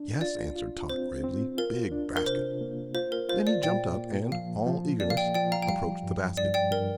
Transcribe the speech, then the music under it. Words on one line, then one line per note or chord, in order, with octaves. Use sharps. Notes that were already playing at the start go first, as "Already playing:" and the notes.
"Yes," answered Tot, gravely, "big basket!" Then he jumped up and, all eagerness, approached the basket.
Already playing: D4
F4 D5
F4
C4 C5
C4
F4 A#4
D4
A#4
C3 C5
A#3
F4 C5
A#4
F4 C5
D5
A#2 D5 G5
A#3
F3 F5
F3
A#3 D5
F5
D5 G5
F3 D5 G5
F5 A#5
G5
G3 F5
G2
G2 D5
D5 G5
G2 A#4